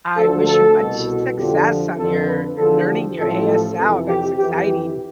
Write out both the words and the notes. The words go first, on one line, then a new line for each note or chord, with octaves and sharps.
I wish you much s success on your learning your ASL. That's exciting.
D2 D3 F3 A4
A4
C2 B2
F2 D3 F3 G4
F2 D3 F3 A4
B4
E2 D3 F3 A4
G4
A1 A2 F3 A4
A4
F2 C3 E3 A4
G4
F2 E3 G4
G4